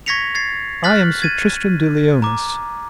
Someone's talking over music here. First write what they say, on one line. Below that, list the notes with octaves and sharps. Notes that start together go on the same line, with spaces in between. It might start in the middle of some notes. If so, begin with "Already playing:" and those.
I am Sir Tristram de Liones.
C#6 G#6 A#6 B6 C#7 F7
G#6 A6 C7
F6 F#6 A6 B6 F#7
G#6 A6 D#7
A#5 D6